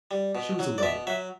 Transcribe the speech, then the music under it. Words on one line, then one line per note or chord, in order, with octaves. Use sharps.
She was alone.
G3
B2
F#3
D5
B2 E5
F#3 E5